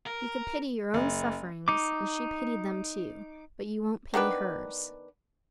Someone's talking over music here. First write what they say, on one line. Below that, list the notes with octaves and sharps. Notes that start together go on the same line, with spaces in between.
You could pity your own sufferings; and she pitied them, too; but you won't pity hers!
A#4
F#1
D#4 D6
D#3 B3 D4 B4